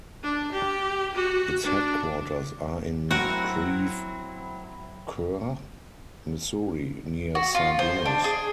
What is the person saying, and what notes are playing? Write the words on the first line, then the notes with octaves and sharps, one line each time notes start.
Its headquarters are in Creve Coeur, Missouri, near Saint Louis.
D4
G4
F#4
D4
F#3 C4 E4 F#4 A#4
F#4
F4
C5
D4
G#4